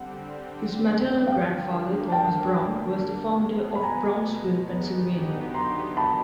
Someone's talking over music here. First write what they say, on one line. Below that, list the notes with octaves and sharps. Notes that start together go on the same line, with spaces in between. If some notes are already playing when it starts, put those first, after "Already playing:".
His maternal grandfather, Thomas Brown, was the founder of Brownsville, Pennsylvania.
Already playing: D3 G3 C4 F#5
D3 G3 A#3 D4 F5 G5
G5 A5
B2 G#3 B3
B5
G#5 A#5
D3 F#3 B3 D#4 G4
A#5 C6
A5 B5